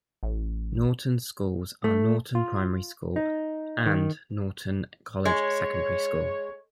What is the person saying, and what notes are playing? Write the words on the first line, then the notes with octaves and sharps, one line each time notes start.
Norton's schools are Norton Primary School, and Norton College secondary school.
A1
A3
F4
D#4
D#3
G#3 C#5